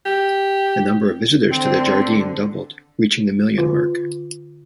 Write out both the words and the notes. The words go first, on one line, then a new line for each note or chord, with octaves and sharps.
The number of visitors to the Jardin doubled, reaching the million mark.
G4
D3 C4
D3 F4